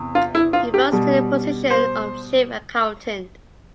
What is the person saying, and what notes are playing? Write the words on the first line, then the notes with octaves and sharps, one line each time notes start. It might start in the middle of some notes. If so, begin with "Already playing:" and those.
He rose to the position of chief accountant.
Already playing: E2 C3
F4
E4
F4
G4
B2 G3
C5